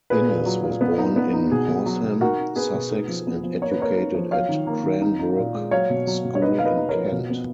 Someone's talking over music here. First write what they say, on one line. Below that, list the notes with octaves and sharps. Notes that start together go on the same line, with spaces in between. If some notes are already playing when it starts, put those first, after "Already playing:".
Innes was born in Horsham, Sussex, and educated at Cranbrook School in Kent.
A#2 G#4 B4
A#2
F#3
A#2
B3
D#4
B3
D#4
B2 G#4
B2
F#3
B2
D#4 F#4 A#4
D#4
B3 G#4 B4
B2
D#4
F3
B3
F3
A#3 C#5
B4
A#3 A#4 C#5
D#4
F3
F#3 C#5 F5
D#3
A#3
D#3
D#4
D#4
A#2
G#3
F#3 C#5 F5
B2
F#3
B2
C#5
D#4 B4 D#5
D#4 F5
B4 D#5
D#4
A#4 C#5
F3
B2
B3